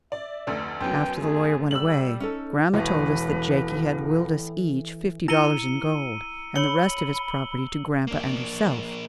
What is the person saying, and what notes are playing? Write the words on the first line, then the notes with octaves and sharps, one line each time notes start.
After the lawyer went away, grandma told us that Jakie had willed us each fifty dollars in gold, and the rest of his property to grandpa and herself.
D5 E5
F1 D2 D4
F#2 F#3 B3 G5
A3 G#4
G3 E6 F#7
C#4 D#4 A4
E1 A2 E3 B4
E4 A#5 E6 C#7 D#7 G7
C#5 B5 E6 C#7 F#7 G7
A#3 D4